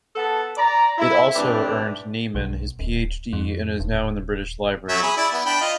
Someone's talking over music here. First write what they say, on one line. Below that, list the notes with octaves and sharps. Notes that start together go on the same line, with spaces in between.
It also earned Niemann his Ph.D. and is now in the British Library.
B3 A4 F#5 A5
D5 A#5
E4
G2 E3 A3 C4 D4 D5
B1
D1
F2
D#1
F#3 C#4 E5
G#4 B5
E4 D5
B3
D4 G5 B5
F4 D#5